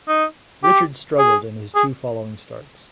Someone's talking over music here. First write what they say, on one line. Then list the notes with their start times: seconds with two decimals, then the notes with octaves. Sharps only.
Richard struggled in his two following starts.
0.08 D#4
0.63 G4
1.19 G#4
1.75 G#4